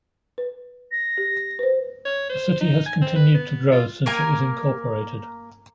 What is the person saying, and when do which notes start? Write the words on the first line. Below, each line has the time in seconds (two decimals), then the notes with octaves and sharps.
The city has continued to grow since it was incorporated.
0.38 B4
0.92 A#6
1.18 G4
1.59 B4 C5
2.05 C#5
2.29 C5
2.60 D#4
2.86 G#5
3.01 C4
3.16 B4
3.35 B3
3.71 F4
4.06 A#3 A#4 G#5